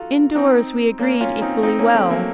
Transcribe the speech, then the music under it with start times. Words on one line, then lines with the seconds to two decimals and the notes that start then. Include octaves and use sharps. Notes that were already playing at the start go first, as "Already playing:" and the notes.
Indoors we agreed equally well.
Already playing: D#4 F4 F#4 A4
0.35 C4 D#4
0.99 A#3 C#4
1.21 C#4 F4
1.42 C4 D#4
1.63 C4 D#4
1.78 A#3 C#4
1.94 A3 C4
2.10 F#3 A#3